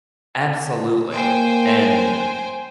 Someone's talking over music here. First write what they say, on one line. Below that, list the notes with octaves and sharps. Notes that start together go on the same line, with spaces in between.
absolutely, and
A#3 C5 G5 G#5